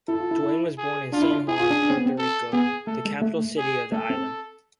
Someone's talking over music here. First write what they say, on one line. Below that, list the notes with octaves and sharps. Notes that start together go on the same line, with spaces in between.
Dwayne was born in San Juan, Puerto Rico the capital city of the island.
E4 A4
F4
E4
E4
G#4
D4 F4
E4
D4
E4 G#4
F4
D4
D4
C4
B3
C4
A4
B3 G#4
A3 A4
G#3
A3
G#4
A3 A4
C4